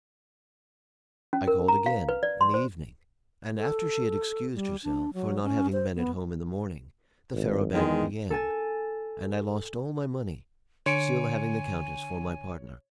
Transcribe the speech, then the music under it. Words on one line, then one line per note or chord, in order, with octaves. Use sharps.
I called again in the evening, and, after she had excused herself for not having been at home in the morning, the faro bank began, and I lost all my money, still having the countess for my partner.
C#4
A#4
A#5
F5
B4
D5
C6
C5
A4
G3
D4
F#3
C#4
C5
B3
G#1
E2 D#3 G#3
A4 G#5 A6
D3 C#5 G#5 C6 C#7 D7